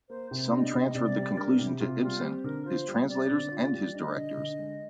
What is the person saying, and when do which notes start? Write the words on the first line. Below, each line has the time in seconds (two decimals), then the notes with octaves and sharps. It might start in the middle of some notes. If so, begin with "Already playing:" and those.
Some transferred the conclusion to Ibsen, his translators and his director.
0.09 A#3 C5
0.31 C3 C5
0.51 D4 D#5
0.74 C3
0.95 C3 D5
1.16 G3
1.38 D4 A#4
1.58 C3 G4
1.80 C3 F4
2.02 G3 F4
2.23 C4 G4
2.44 D3 A#4
2.66 F4 C5
2.88 G3
3.09 C4 D5
3.30 D3
3.51 F4
3.73 G3
3.94 D4 D#5
4.17 D3
4.37 D3
4.59 G#3